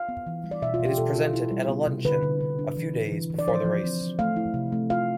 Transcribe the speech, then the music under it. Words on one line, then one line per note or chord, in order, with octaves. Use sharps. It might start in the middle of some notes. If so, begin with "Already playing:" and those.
It is presented at a luncheon a few days before the race.
Already playing: F5
B3
E3
G3
D5
B2 E5
F4
B2
G4
B2 A4
F4
E4
G3
B3
C3
D3 B4
D3
D3
D4
E3
E4
E3
E3
D5
F3 C5
F3
C4
F3
A3 F5
E4
C3
A3
F4 F5